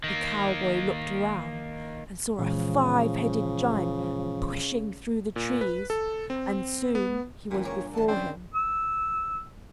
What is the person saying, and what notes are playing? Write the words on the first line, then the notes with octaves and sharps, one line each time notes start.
The cowboy looked around and saw a five-headed giant pushing through the trees; and soon he was before him.
D#3 A#3
A#2 C#3 E3 F3 G#3
A#2
B4
A4
C4
B3
C#2 A#2 E3 G4
A#3 G#4 C#5
G2
D3 E3 A5
C#3 C4 C#4 F4 D5
E6